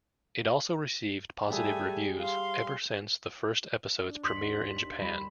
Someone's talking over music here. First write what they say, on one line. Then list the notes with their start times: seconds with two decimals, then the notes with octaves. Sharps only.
It also received positive reviews ever since the first episode's premier in Japan.
1.50 G3 A3 G#4 G#5
2.21 F5 C6
4.04 D4
4.24 D#2 C6 B6 F#7
5.01 G3 B5